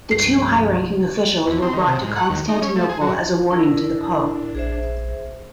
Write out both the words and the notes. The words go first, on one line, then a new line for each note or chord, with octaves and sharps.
The two high-ranking officials were brought to Constantinople as a warning to the pope.
C2 G2 F3 C7
E2
C4
D#3
C3
G#2
F#5
D#2
D#4
C#4
A3
G#4
F#3
D4 E4 A#4
A#1 G#4 C5 E5